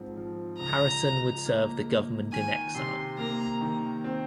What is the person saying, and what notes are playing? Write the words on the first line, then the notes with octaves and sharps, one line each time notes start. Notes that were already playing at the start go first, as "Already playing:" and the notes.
Harrison would serve the government-in-exile.
Already playing: G#2 F3 C4
F3
C#2 A#5
C#2
A#3
A#3
D#3 G#5
C3 C6
A#3 A#5
D#3
C4